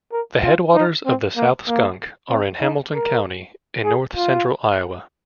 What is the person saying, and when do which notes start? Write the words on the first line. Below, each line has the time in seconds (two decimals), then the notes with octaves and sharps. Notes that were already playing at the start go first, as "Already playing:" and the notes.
The headwaters of the South Skunk are in Hamilton County in north central Iowa.
0.12 A#4
0.44 F4
0.74 D#4
1.06 C4
1.37 A#3
1.68 A#3
2.30 C4
2.61 D#4
2.92 A#4
3.85 G#4
4.16 F4